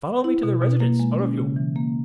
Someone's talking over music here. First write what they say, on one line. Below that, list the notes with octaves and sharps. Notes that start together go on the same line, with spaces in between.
"Follow me to the Residence--all of you!"
E4
B2
B2
A#3
G#3
C#4
C#3
E3
A#3